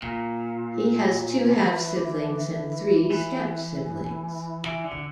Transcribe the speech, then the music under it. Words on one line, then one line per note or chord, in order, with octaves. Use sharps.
He has two half-siblings and three step-siblings.
A#2
E3
E3
E3
D3